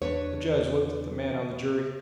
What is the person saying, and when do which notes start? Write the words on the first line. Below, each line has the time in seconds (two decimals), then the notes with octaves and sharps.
The judge looked at the man on the jury.
0.02 E2 D4 B4 C#5